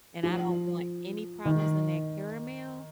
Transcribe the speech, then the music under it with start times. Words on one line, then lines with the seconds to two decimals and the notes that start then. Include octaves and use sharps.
and I don't want any problems in that caramel.
0.23 F3
1.45 D#3